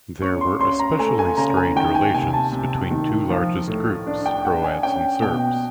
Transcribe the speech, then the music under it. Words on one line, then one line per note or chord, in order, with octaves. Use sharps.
There were especially strained relations between two largest groups, Croats and Serbs.
C#4 C#6
C6
C#4 C6
A#5
A3 G#5
G#5
C#3 A#5
G#5
D#3 G5
G#5
C3 G#5
A5
C3
D#3
F3
A2
D4
G5
D4 F#5
G#5
C#4 G5
B2 G5